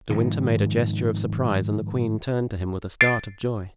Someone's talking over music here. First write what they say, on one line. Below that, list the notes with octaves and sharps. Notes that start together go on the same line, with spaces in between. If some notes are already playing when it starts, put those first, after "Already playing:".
De Winter made a gesture of surprise and the queen turned to him with a start of joy.
G#2 D#3 F3
A6 C7 D7